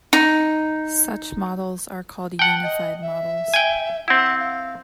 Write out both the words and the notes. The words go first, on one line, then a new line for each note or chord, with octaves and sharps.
Such models are called unified models.
D#4
F#5 G5 A5
D#5
E5
G5 G#5
C4 E4 F#5
F5